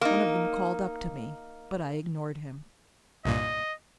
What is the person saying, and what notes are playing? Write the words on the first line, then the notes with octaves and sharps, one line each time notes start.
One of them called up to me, but I ignored him.
A#3 D#4
C2 G2 A#2 D#5